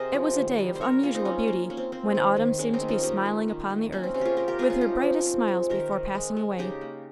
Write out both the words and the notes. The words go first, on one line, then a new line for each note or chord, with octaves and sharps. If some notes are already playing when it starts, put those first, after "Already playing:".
It was a day of unusual beauty, when autumn seemed to be smiling upon the earth with her brightest smiles before passing away.
Already playing: C3 G#4 A#4 C5 D#5
F3
D#3
G3
C5
G3 A#4 C#5
A#3 F4 G#4
C4 D#4
A#3 C#4
A#3
A#3 C#4
C4
A#3 C4
D#3
D#3
G#3 C#4
C4 D#4
D#3
C#4 F4
A#3 D#4 G4
A#3
D#3
D#3
A#3 C#4
C4
C3 C#4
F4 G4 G#4
C3 G4 A#4
G4 A#4
C3 F4 G#4
C#4 F4
F3 D#4 G4
F3
C4
G#3
D#3 G4 A#4
D#3
G#3
G#3
C#3 D#4 G4
A#3